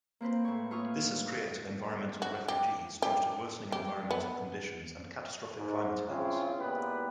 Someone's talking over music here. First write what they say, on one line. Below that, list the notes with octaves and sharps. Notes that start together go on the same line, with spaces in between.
This has created environmental refugees due to worsening environmental conditions and catastrophic climate events.
A#3 C4 B4 C5
A2 C#5
A3 F4 C#5 C#6 D#6 F6
F#4
G4
G4
G4
B3
G#2
C#3 C4 C#4 E4 F4 G#4
A#2 G#3 B3 E4 G4 B4